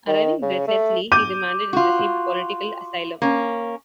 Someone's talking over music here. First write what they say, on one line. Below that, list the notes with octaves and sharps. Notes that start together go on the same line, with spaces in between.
Arriving breathlessly, he demanded and received political asylum.
D#3
C#3
A3
D6 G6 D#7
F4 F#4
A#3 C#4